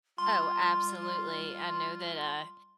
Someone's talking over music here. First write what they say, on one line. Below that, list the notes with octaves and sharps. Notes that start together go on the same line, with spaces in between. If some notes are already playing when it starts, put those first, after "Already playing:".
Oh, absolutely. I know that, uh,
G3 F4 C6